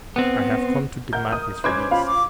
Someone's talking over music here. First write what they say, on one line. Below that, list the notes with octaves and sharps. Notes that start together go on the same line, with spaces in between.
"I have come to demand his release."
B3 C4
A#4 F#5 G6
D#6
C#4 B4 C5 D6 G#6
F4 F5 B5
D6